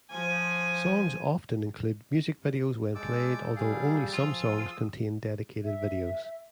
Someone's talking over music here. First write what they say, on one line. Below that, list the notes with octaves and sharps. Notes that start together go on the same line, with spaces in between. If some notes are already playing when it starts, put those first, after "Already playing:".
Songs often include music videos when played, although only some songs contain dedicated videos.
F3 G#5
C3
G#3 A4 D5 G5 D6 E6
G3 G#4 F5
F3 F4 G#4 A4 D#6 E6
E5